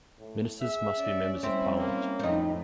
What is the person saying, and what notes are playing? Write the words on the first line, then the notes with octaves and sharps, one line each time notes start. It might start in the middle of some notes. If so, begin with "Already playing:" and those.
Ministers must be members of parliament.
A2
G#4 E5
C#4 D5
G3 C4 E4 E5
A#3
F2 A2 C4 D#4